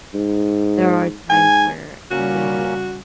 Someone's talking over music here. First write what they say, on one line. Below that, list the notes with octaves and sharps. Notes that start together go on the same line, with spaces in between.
there are times where we
G#2
G#2 G#5
A#2 C#3 G3 A#3 C#4 F#4